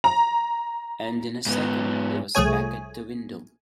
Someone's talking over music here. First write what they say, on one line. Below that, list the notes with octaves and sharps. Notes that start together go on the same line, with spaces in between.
And in a second he was back at the window.
A#5
G#2 B3
C2 F3 A3 G#4 C#5 G#5